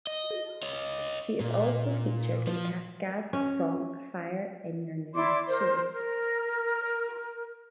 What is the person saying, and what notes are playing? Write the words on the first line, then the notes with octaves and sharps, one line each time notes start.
She is also featured in Kaskade's song "Fire in Your New Shoes".
D#5
C#5 D#5
A#2
F3
C#4
E4 D5 C6 D6
A#4 C5
A#4